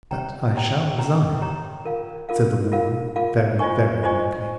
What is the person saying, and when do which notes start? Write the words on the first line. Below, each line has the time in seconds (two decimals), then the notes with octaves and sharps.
"But I shall resign," said the warden, very, very meekly.
0.11 G4 C#5 G5 A#5
0.54 G4 C#5 G5 A#5
0.98 G4 C#5 G5 A#5
1.42 G4 C#5 G5 A#5
1.85 F4 A#4 F5
2.29 F4 A#4 F5
2.72 F4 A#4 F5
3.16 F4 A#4 F5
3.59 F4 C5 D#5 G#5 C#6
4.03 F4 C5 D#5 G#5 C#6